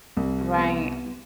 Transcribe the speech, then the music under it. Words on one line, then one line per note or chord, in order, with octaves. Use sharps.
Right, mm.
C2
B3